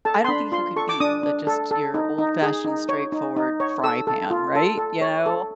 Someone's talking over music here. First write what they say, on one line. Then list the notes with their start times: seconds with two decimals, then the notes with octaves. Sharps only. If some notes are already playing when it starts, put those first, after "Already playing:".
I don't think you can beat uh, just your old fashioned straightforward fry pan, right? You know?
0.05 A4 A5
0.24 C6
0.28 D4 B5
0.52 F4 C6
0.76 A4 C#6
0.89 D6
1.00 D4 D#6
1.23 D4
1.47 A4
1.71 A4
1.94 D#4
2.18 D#4
2.42 G#4
2.65 D#4
2.89 C#5
3.12 D#4
3.36 D#4
3.60 C#5
3.84 A4 E6
4.07 A4
4.31 F4
4.55 A4
4.78 A4
5.01 C#5
5.26 A4